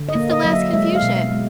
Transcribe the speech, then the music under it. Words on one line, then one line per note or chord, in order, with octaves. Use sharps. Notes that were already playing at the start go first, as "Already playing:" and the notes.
It's the last confusion.
Already playing: D3
D#5
A#3
D#5
F#3 D#5
E5
G#3 E5
F5
B2
E5
G#3